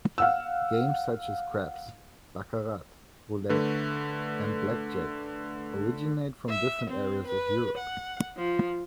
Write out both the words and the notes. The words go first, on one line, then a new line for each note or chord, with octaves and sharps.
Games such as craps, baccarat, roulette, and blackjack originate from different areas of Europe.
F5 F#5 E6
D3 A3 B4
E5
C4
B4
F#5
F3